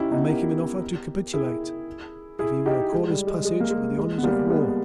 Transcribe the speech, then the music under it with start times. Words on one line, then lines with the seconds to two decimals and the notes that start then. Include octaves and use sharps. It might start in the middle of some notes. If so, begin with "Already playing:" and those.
I make him offer to capitulate if he will accord us passage with the honours of war.
Already playing: C#4 D#4 E4 G4
0.11 B3 D#4
0.28 G4 A#4
1.33 E4 G#4
2.39 E4 G#4
2.66 D#4 G4
2.93 G#3
3.10 G3
3.27 G#3
3.45 G#3
3.60 A#3
3.70 G#3
3.98 G#3
4.18 B3
4.23 G3 A#3
4.50 G#3 B3